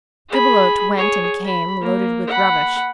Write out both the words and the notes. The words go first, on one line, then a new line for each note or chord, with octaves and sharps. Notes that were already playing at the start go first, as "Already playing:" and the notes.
Gibelotte went and came loaded with rubbish.
G#4 B5
G#4 C#5
B5
A#3
F#5 B5